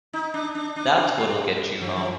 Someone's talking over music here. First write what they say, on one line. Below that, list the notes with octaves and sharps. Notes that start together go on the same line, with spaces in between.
That's what'll get you home.
D#4
D4
D4
D4
D4
G3
F3
F3